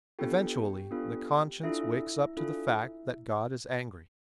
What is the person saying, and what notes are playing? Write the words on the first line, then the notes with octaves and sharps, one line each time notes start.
Eventually the conscience wakes up to the fact that God is angry.
B3 D4 F4 G4 A4 G5
B3 D4 F4 A4
D4 E4 F4 A4 E5
D4 F4 A4